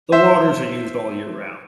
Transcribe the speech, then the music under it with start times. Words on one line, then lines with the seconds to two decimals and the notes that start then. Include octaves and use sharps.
The waters are used all year round.
0.12 C5 E5